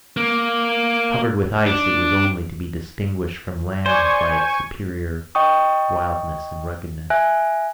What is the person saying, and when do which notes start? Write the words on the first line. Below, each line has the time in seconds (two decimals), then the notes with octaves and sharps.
Covered with ice, it was only to be distinguished from land by its superior wildness and ruggedness.
0.17 A#3
1.66 D4
3.86 C5 D5 G#5 C#6 G#6
5.35 D#5 G5 C#6 D#6
7.10 E5 G#5 F#6